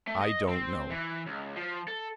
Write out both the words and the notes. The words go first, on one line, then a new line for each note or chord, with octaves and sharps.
"I don't know."
A3
D#5
C4
E3
C#2
F3
A4